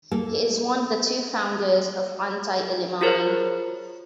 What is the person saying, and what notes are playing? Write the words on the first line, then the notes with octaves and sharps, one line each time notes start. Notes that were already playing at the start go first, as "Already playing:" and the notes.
He is one of the two founders of Inti-Illimani.
A#3 A4
F4 F#4 G#4 A#4 C5 C#5